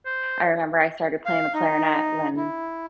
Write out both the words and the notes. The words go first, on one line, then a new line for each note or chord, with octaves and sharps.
I remember I started playing the clarinet when
C5
F5
D#4
E4